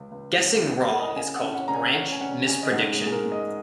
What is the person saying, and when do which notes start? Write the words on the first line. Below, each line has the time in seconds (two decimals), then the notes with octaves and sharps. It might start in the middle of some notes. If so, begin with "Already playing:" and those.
Guessing wrong is called branch misprediction.
Already playing: C#2 C#3
0.12 C#2
0.37 C#2
0.64 C#2
0.90 A#3
1.00 D#5
1.08 F#5
1.16 C#3 G#5
1.36 F#5
1.43 C#4
1.55 F#5
1.68 C#3 A#5
1.74 G#5
1.95 C#4 F#5
2.12 G#5
2.21 C#4 F#5
2.47 C#3 G#5
2.63 D#5
2.72 G#2 F#5
2.93 G#4
2.99 G#2
3.07 G#4
3.12 A#4
3.26 G#2
3.32 D#5